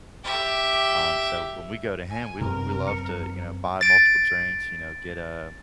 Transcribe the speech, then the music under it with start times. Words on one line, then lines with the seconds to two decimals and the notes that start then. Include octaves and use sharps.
um, so when we go to him, we we love to, you know, buy multiple drinks, you know, get a
0.24 G4 E5
2.10 G#5
2.41 F#2 C3 B3 C4 A#4
2.88 C#7
3.81 A6 D7